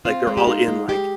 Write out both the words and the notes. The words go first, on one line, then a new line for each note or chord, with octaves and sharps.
like, they're all in, like,
C4 F4
G#3
G4
D#4 F4
G#3
G#3 G4